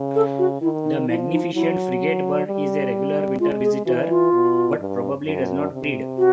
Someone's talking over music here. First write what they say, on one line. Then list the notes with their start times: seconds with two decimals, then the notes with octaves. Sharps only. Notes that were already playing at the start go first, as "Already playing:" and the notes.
The magnificent frigatebird is a regular winter visitor but probably does not breed.
Already playing: C#3
0.15 A4
0.38 F#4
0.61 D#3 E4
0.85 D#4
1.08 F3 E4
1.31 D#4
1.54 F#3 E4
2.47 G3
3.40 G#3 F4
3.63 G#4
3.86 E3 F#4
4.09 F4
4.33 B2
4.79 G2
5.25 F#2
5.72 C3
6.18 F#4